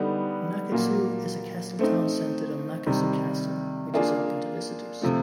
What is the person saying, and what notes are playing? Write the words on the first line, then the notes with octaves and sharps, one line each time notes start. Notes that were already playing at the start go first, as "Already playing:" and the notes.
Nakatsu is a castle town centered on Nakatsu Castle, which is open to visitors.
Already playing: D3 G3 B3 D#4
A#2 F#3 A#3
A3 C4 D#4
C3 D#3 G3
A#3 D4 F4 G#4
C3 F3 A3